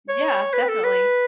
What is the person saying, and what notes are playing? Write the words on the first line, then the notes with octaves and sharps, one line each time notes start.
Yeah, definitely.
C#5
B4
A4
B4